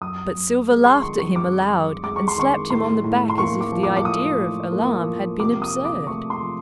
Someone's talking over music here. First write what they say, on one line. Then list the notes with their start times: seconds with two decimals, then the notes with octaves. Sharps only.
But Silver laughed at him aloud and slapped him on the back as if the idea of alarm had been absurd.
0.01 F#2 D#6
0.35 F#2
0.69 G#3
0.86 C6
1.02 D#3 C#6
1.19 C#6
1.36 F#2 D6
1.70 F#2
2.03 G#3 D6
2.16 C#6
2.28 C6
2.37 D#3 C#6
2.70 A2 C6
3.04 A2
3.30 C6
3.38 A#3 C#6
3.61 D6
3.72 F3
3.83 D6
3.97 D6
4.05 A2 D#6
4.39 A2
4.72 A#3
5.06 F3
5.40 C3 D6
5.62 D#6
5.74 C3
5.85 D6
6.07 A3 C#6
6.30 C6
6.41 F3